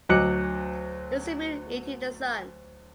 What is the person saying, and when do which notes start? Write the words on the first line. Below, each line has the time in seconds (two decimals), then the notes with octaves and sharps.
Is the moon eating the sun?
0.09 D2 F#3 D#5 D6 F#6 C#7